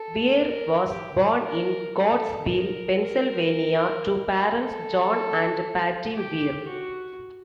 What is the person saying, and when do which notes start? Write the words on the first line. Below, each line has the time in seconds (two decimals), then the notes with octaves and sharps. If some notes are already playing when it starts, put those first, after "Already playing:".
Weir was born in Coatesville, Pennsylvania, to parents John and Patti Weir.
Already playing: A4
0.39 A#4
0.91 G4
1.43 A#4
1.96 A4
2.48 A#4
3.01 A#4
4.58 A4
6.15 G4
6.68 F#4